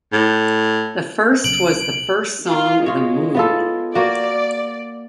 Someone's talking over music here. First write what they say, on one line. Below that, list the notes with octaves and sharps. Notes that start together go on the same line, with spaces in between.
The first was the first song The Moon.
A2
B1 C#3 D7 F#7
F4
G#3 F4 C#5
B3 F4 A4
A#3 F#4 D5